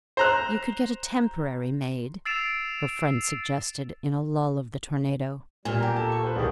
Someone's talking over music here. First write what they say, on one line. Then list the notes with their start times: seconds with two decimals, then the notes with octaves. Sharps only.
'You could get a temporary maid,' her friend suggested, in a lull of the tornado.
0.17 C5 A#5 F#6
2.25 E6 A6 C7 D7 E7 F7
5.65 A#2 G3 G#5 F6
5.80 G4 A#5
5.96 A4 A5
6.12 C#6
6.23 B4 C5
6.36 C2 D#3 G4 G#4 D5